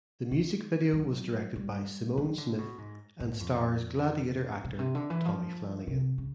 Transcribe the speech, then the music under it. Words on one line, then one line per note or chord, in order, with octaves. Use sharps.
The music video was directed by Simone Smith and stars "Gladiator" actor Tommy Flanagan.
D#3
F#3
G3
F#3
D3
B2
G#2
G#2
F2
B2
C3
D3
E3
F3
C3
C#3